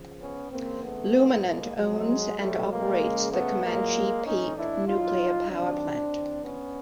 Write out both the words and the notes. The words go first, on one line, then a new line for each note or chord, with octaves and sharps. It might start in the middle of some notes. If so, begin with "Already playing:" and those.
Luminant owns and operates the Comanche Peak Nuclear Power Plant.
Already playing: C#3 F3
B3 C#4
C#3 E3 A#3 C4
A3 B3
A2 F3
G#3 A#3
C3 F3 F#3 G#3
B2 F#3 G3 A3
G#3 A#3
C#3 F3
A3 B3
A#2 F#3 G#3 A#3
A2 E3 C#4 D#4
D4 E4
B2 F#3 D#4 F4
C3 D#3 F#3 C4 D4
C3 E3
B3 C#4